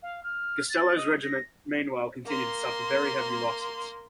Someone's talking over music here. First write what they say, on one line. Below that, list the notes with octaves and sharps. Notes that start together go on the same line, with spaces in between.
Gastello's regiment meanwhile continued to suffer very heavy losses.
F5
F6
A6
D#5
A#6
A#3 C6